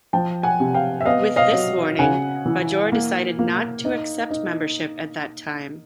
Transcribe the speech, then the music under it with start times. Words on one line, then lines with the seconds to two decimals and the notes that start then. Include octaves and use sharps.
With this warning, Bajor decided not to accept membership at that time.
0.13 F3 G5 A5
0.43 F#5 G#5
0.60 C3
0.74 F5 G5
1.01 E5
1.05 B3 D#5 F5
1.36 D#5 F5
1.52 F#3
1.99 C#3 F#5 G#5
2.46 E3
2.92 A#3
3.39 A#3
3.85 D#4
4.31 D#4